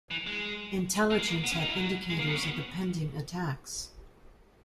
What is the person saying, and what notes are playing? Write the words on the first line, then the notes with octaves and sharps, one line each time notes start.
Intelligence had indicators of the pending attacks.
E3
G#3
A#3
G#3
A#3
B3
C#4
D#4
E4
F#3
G#3
A#3
B3
C#4
B3